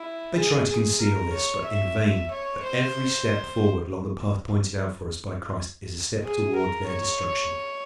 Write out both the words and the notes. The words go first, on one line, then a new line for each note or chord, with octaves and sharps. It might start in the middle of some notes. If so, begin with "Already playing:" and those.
They try to conceal this, but in vain; for every step forward along the path pointed out for us by Christ is a step toward their destruction.
Already playing: E4
G#4
G#4
A#4
C#5
E5
C#5
C5
G#4
A#4
C#5